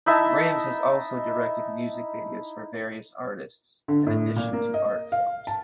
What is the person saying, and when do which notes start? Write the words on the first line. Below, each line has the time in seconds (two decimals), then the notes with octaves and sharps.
Rams has also directed music videos for various artists, in addition to art films.
0.06 D#4 E4 E5 A5
3.88 D3
4.07 A2
4.36 A#2
4.53 A#3
4.74 D#5
5.12 F5
5.47 A5